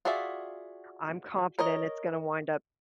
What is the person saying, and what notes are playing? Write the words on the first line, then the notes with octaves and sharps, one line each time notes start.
I'm confident it's going to wind up
F4 F#4 G#4 D5 E5
A#4 C#5 D#5